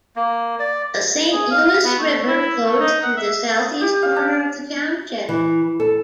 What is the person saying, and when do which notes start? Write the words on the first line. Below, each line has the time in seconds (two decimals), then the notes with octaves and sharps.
The Saint Louis River flows through the southeast corner of the township.
0.16 A#3
0.59 D5
1.33 G#4
1.51 F5
1.84 B3
1.99 A3
2.27 E4
2.64 A3
2.79 D#4
3.03 F#5
3.17 E5
3.60 D#6
3.81 G4
4.03 F5
4.16 D4
5.29 E3
5.80 A4